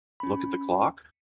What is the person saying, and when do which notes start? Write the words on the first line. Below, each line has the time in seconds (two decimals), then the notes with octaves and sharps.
Look at the clock?
0.20 C#4 B5